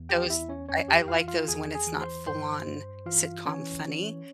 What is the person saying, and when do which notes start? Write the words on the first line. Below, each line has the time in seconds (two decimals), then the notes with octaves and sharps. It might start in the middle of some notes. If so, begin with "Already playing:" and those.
Those I I like those when it's not full-on sitcom funny,
Already playing: E2
0.09 G4 G5
0.30 E2 E4 E5
0.49 C#4 C#5
0.69 F2 C#4 C#5
0.88 G4 G5
1.08 E3 F4 F5
1.28 F4 F5
1.48 E2 G#4 G#5
1.75 G#4 G#5
1.87 E3
2.01 C5 C6
2.27 G2 C5 C6
2.67 G2
3.06 E3 F4 F5
3.45 E3 C#4 C#5
3.85 E3